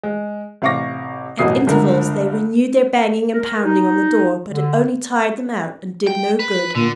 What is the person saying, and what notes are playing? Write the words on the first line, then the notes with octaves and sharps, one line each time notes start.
At intervals they renewed their banging and pounding on the door, but it only tired them out, and did no good.
G#3
A1 C3 F5 C#6 D6 A#6
A1 F#2 B2 D#6 C7
G1 C#2 D3 A#4
A#4
D#4
D3
G5
B4
A#2 D3